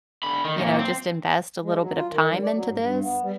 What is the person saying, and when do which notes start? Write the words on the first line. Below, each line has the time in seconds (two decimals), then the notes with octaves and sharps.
you know, just invest a little bit of time into this?"
0.23 D3 B5
0.45 D#3
0.57 F#2 A#2
0.79 C4
1.64 G#3
1.81 F#3
1.95 F4
2.11 D#3
2.30 G3
2.43 D5
2.55 F#3
2.67 G#2
2.81 G2
3.02 B3
3.23 G3